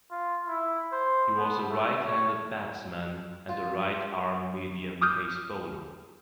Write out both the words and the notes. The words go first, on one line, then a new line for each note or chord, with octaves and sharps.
He was a right-handed batsman and a right-arm medium pace bowler.
F4
E4
C5
B3
A3
C#5
F4
D6 D#6 F6 G6